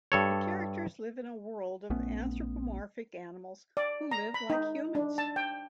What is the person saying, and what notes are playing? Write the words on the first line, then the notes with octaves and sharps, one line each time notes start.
The characters live in a world of anthropomorphic animals who live like humans.
G2 A4 C#5
A#1 A3 B3 C#4
D5
A#5
B5
D#4
D4
A5
G5